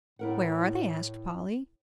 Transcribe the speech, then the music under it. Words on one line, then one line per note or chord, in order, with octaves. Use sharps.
"Where are they!" asked Polly.
A2 E4 A#4 F#5